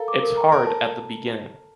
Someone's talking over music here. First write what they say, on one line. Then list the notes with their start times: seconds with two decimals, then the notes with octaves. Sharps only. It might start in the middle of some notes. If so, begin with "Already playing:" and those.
It’s hard at the beginning.
Already playing: A4 A#4 F5 A#5
0.08 D6
0.23 A#4
0.37 A#5
0.52 A4 A#4
0.67 A5